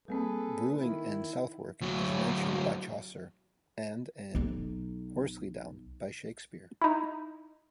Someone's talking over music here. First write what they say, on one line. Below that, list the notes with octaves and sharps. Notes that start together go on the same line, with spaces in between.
Brewing in Southwark is mentioned by Chaucer, and in Horselydown by Shakespeare.
G3 A#3 C4 G#4 A4 B4
D#3 E4
D2 F#3
B1 D#4
D#4 E4